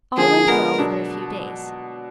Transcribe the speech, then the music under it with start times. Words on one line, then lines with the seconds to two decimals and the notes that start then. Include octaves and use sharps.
All went well for a few days.
0.17 D3 F3 A#3 G#4
0.48 D3 F3 G#3 B3 A#4
0.78 B2 F#3 D4